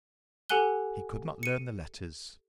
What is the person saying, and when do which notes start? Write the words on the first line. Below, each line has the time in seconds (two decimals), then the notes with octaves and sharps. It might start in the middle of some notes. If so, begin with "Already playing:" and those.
He could not learn the letters.
0.50 G4 A4 F#5 G#5 F#6 G7
1.43 C#7 D#7